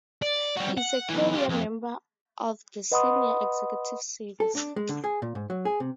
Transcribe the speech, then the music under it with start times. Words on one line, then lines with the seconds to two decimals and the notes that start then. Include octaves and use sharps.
He is a career member of the Senior Executive Service.
0.22 D5
0.56 G3 F#4
0.78 F#5
1.09 B1 E3
1.34 F4 G4
1.49 F2
2.92 B4 D#5 F#5 B5 C6 D#6
4.40 A4
4.55 D4
4.76 G#3
4.89 D3
5.04 G#4
5.22 A#2
5.35 G#2
5.50 F#3
5.65 G#4
5.80 C3